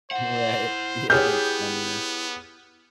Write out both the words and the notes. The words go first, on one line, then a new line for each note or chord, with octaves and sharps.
Right. Yeah, that's funny, yeah.
E4 C5 F#5
B3 G4 G#4 C#5 F6 G6